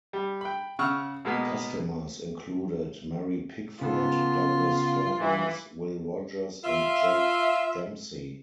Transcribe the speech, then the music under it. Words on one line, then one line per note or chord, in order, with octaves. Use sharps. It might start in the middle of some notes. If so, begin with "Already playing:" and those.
Customers included Mary Pickford, Douglas Fairbanks, Will Rogers and Jack Dempsey.
G3
G5 B5
C#3 F#5 C#6 E6 F6
B2 G#3 A#3 B3
C#3 B3 F4 A4
E3
F4 E5